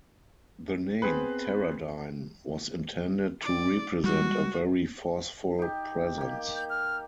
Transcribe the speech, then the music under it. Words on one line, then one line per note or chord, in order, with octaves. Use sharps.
The name, Teradyne, was intended to represent a very forceful presence.
B3 C4 G#4 B4
D5
G3 G#3 F#4
D#4 G4
A#3 G4
G6
F6